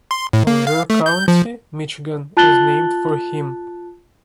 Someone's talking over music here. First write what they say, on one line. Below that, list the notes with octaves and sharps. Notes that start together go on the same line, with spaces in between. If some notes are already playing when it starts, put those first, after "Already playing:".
Alger County, Michigan, is named for him.
C6
A2
A#3
F5
A3
G6
F3
F4 A5 F#6 A6 F#7 G7